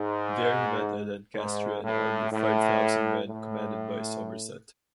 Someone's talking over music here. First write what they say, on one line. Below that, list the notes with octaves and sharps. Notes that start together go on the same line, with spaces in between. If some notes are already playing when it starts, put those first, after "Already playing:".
There he met a Lancastrian army of five thousand men commanded by Somerset.
Already playing: G#2
G#2
A2
A2
A2